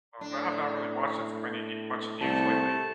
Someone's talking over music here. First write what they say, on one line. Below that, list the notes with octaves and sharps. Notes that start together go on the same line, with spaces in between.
Uh, but I have not really watched it for many ne much news lately.
A2 D4
C2 A3 A5